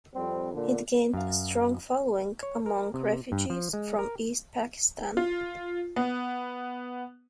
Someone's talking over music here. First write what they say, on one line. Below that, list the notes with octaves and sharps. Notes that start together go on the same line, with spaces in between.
It gained a strong following amongst refugees from East Pakistan.
F2 G3 C4
A#2 D3
F#2 F5
C#5
A#4
C3
G2
F3
G#3
A#4
F4
B3